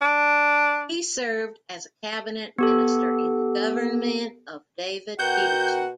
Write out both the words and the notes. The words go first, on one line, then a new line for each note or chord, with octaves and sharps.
He served as a cabinet minister in the government of David Peterson.
D4
B3 G4 A4
B2 F#4 A#4 F#5 G5 G6